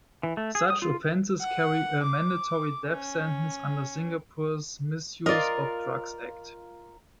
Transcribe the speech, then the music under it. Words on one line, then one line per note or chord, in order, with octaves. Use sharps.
Such offenses carry a mandatory death sentence under Singapore's Misuse of Drugs Act.
E3
A3
G#4
D#6
F4
F#5
D6
C#4
F4 A#4 D5 D#5